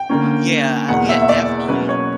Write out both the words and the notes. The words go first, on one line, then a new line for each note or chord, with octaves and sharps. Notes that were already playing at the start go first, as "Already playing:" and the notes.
Yeah, uh, yeah, definitely.
Already playing: G5
D3 A#3 C#4
E2 B2 A#3 F#5
E5
E5
D5
B2 F#3 A#3 C#4 B4
C#5